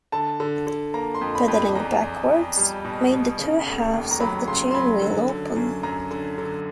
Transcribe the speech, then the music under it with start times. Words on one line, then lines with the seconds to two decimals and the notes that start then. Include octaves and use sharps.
Pedalling backwards made the two halves of the chain wheel open.
0.12 D3 A5
0.40 D3
0.67 D3
0.94 A#3 A#5
1.15 C6
1.21 F2
1.35 B5
1.48 F2
1.55 B5
1.75 E2 A#5
2.03 E2
2.30 E2
2.57 G3
2.85 B2
3.12 B2
3.39 C#3
3.66 F1
3.93 D#2
4.11 A#5
4.20 F#3 B5
4.48 C#3 C6
4.71 C6
4.74 F#3 B5
5.02 D3
5.29 D3
5.56 F#2
5.83 F#2 A#5
6.11 D3
6.38 D3